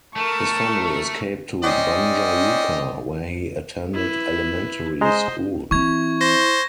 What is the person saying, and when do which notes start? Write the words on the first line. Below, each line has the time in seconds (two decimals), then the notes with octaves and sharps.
His family escaped to Banja Luka, where he attended elementary school.
0.16 A3 A#4 A5 C#6
1.63 C4 C#4 D5 D#5
3.94 E4 B4
5.01 G#3 C5 D#5 A#5
5.71 E3 C4 E4 C#6 G#6
6.21 C5 A#6